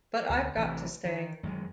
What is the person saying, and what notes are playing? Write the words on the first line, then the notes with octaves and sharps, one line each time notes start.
But I've got to stay.
D2 D3
A1 C3 E3
D#3
F#2 D#3 G#3